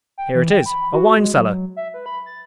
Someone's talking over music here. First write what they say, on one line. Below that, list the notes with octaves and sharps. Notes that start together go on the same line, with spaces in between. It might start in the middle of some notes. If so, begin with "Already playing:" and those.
Here it is--a wine-cellar.
G5
E3
G5
B5
F#4
G#3
F#3
E5
B4
B5
A6